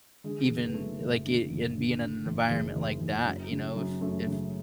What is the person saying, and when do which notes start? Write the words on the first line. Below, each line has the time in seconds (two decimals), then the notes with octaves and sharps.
even, like, in being in an environment like that, you know, if if
0.24 D3 G#3
0.49 F#1
0.65 B3
0.74 F#2 A3
1.00 F#1
1.25 D3
1.50 F#1
1.75 D3
2.00 D3
2.26 F#1
2.50 F#1 G#3
2.76 F#1
3.01 F#1
3.26 F#2
3.51 C#3
3.76 F#2
4.01 F#2 A3
4.27 C#3